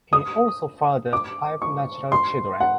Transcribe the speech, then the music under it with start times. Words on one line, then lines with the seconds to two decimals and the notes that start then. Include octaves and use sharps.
He also fathered five natural children.
0.13 D#6
1.13 D6
1.62 C#6
2.12 C6
2.60 F#5